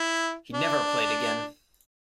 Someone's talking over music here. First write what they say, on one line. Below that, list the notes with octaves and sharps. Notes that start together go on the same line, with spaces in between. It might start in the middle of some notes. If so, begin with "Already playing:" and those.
He never played again.
Already playing: E4
D4